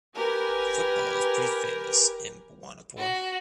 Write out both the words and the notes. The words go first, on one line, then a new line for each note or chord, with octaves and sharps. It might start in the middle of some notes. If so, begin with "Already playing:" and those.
Football is pretty famous in bhawanipore.
G4 A#4 B4 G#5
F#4